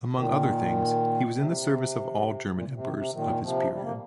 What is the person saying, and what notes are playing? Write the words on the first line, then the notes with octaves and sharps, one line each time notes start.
Among other things he was in the service of all German emperors of his period.
A#2 D#3
C3
A#2
A#2
C3
D#3
C3
A#2 D#3
C3 F3
G3
A#3